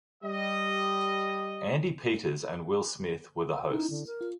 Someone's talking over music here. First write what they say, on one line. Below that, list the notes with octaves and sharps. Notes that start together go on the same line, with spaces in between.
Andi Peters and Will Smith were the hosts.
G3 D#5
C#4 D#4 E4
D3
A#4
F4